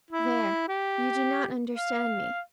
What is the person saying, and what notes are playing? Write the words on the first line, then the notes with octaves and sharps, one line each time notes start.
There--you do not understand me.
E4
G4
F5